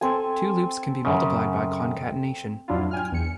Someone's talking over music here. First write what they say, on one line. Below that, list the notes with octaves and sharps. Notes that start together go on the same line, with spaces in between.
Two loops can be multiplied by concatenation.
C4 A4 G#5
F#2 C#3
F2 A2 F#3 D4 E4 F4
G5 G#5 F6
E2 C#7